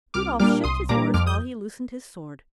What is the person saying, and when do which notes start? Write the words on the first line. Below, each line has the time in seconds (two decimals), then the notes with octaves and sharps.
Rudolf shipped his oars while he loosened his sword.
0.14 C2 D6 F6
0.40 A#2 G3 A#3 D4 D6 F6
0.64 C2 C6 D#6
0.89 A#2 G3 A#3 D4 A#5 D6
1.14 F2 D6 F6
1.26 D#6 G6